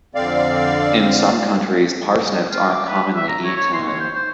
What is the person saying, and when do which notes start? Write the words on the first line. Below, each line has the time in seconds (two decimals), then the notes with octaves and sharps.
In some countries, parsnips aren't commonly eaten.
0.15 F2 D3 C4 D5 F5
2.52 F4
2.71 D6
2.88 B4
3.15 E5
3.28 A#5
3.44 C#5
3.56 C#5
3.73 C6
3.87 C#5
4.00 C5
4.15 C5